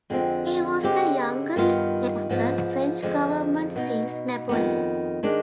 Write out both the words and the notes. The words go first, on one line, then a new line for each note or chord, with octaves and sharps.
He was the youngest head of a French government since Napoleon.
F2 D3 G#3 C4
D3 G#3 C4 G4
G2 D#3 B3 F4
G#2 F3 B3
F2 D3 F3 G#3
B2 B3 D#4
F2 D#3 B3
D#3 G#3 D4